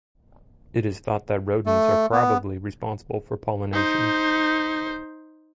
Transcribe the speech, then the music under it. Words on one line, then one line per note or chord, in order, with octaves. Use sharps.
It is thought that rodents are probably responsible for pollination.
A3
B3
D#4 C5